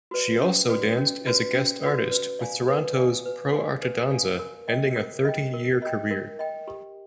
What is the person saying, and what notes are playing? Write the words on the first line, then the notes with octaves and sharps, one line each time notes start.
She also danced as a guest artist with Toronto's ProArteDanza ending a thirty-year career.
F#4 B4 D5
C#4
F#4 B4 D5
C#4
F#4 B4 D5
C#4
F#4 B4 D5
B4
D5 F5 G#5
B4
D5 F5 G#5
B4
D5 F5 G#5
B4
D5 F5 G#5
A#4
D#5 G5
A#4
D#5 G5
A#4
D#5 G5
A#4
D#5 G5
G4